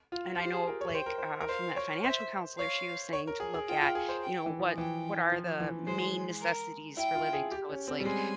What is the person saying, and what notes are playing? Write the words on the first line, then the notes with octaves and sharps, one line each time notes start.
and I know of, like, uh, from that financial counselor, she was saying to look at, you know, what what are the main necessities for living. So it's like
F4
F4
G4 C5
G#4
A#4
C#5
C5 G5
A#4
C5
A#4
C5 F5
C#5
C5 E5
C#5 F5
C#5
A#4
G#4
G#4
F4 G5
F4
G#4
C5
G5
E3
F3
E3 G5
F3
E3
G#3 C5
A#4
E4 G5
F4
G#4
G4
C#4
C4
G3
G#3 G#5